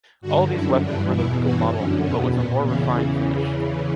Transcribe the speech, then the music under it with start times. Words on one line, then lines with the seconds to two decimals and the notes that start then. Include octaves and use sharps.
All these weapons were the legal model, but with a more refined finish.
0.21 G2 D3 F#4
0.50 F#2 D3 E4
0.81 G2 E3 D4
1.11 E2 B2 E4
1.42 G2 E3 F#4
1.72 F#2 D3 C#4
2.02 E2 B2 C#4
2.32 A#2 B3
2.63 E2 C#3 E3 C#4